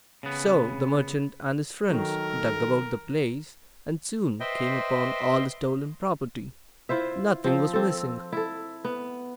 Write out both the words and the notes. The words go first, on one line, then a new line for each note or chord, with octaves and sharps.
So the merchant and his friends dug about the place, and soon came upon all the stolen property. Nothing was missing.
C#3 B3
D#3 F#3 A4 A#4
B4 C5 D#5 E5 G5 C6
E4 F4 C5 E5
F3 C4
C4 A4
E4 A4
B3